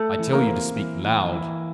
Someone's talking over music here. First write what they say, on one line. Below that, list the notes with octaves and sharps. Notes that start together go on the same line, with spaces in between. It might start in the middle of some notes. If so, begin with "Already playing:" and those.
"I tell you to speak loud."
Already playing: A3 A4
E3
A#3 A#4
C4
E3
E3
E3